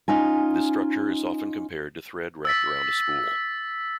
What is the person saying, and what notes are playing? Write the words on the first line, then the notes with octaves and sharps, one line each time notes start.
This structure is often compared to thread wrapped around a spool.
C#4 D#4 F4 G#5
E6 A6 B6